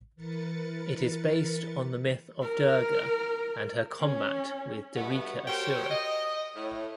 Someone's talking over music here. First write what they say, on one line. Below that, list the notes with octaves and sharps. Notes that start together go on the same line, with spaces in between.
It is based on the myth of durga and her combat with Darika asura.
E3 A#4 B4 A6 C#7
A#4
C#4
G2 B2 A3 B3
F#4 G4 A#4 C5 C#5 G5
D#5
A2